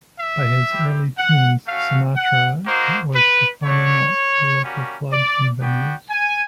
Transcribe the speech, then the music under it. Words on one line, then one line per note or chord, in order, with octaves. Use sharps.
By his early teens, Sinatra was performing at local clubs and venues.
E5
C4 E4 G4
F#5
A3 C#4 F#4 F5
F#5
A#3 D#4 F#4 C5
B4
A3 D4 F#4 C#5
G3 A#3 C#4 F#4
D5
B3 D4 F#4 G5
G#5